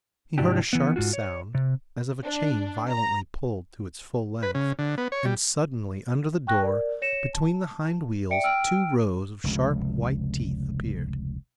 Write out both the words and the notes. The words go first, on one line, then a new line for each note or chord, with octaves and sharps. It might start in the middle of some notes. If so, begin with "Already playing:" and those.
He heard a sharp sound, as of a chain violently pulled to its full length, and suddenly, under the door, between the hind wheels, two rows of sharp white teeth appeared.
G#2 C3 D4 E4 F#4 G4
E3 B3
G#2 F4 F#4
C#5
C3
D4
A#5
B4
C#3
D3
B3
C#5
G3
G5 C#6 F#6 A#6
A#4 D5
C#5 A#6 C#7 E7
A5
D5 E5 G5 C#7 D7
G5 E6 F6 D7
F1 C#2